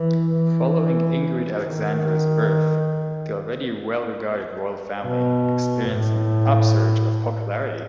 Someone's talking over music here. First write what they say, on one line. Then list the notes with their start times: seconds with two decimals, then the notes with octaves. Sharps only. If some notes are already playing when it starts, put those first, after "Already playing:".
Following Ingrid Alexandra's birth, the already well-regarded royal family experienced an upsurge of popularity.
Already playing: E3
0.36 E3
1.64 D#3
5.05 B2
5.90 A2